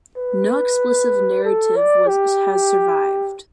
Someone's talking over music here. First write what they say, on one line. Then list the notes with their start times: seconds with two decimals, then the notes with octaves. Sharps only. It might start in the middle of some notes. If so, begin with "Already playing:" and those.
No explicit narrative has survived.
0.17 B4
1.45 A4
1.77 D5
2.09 G4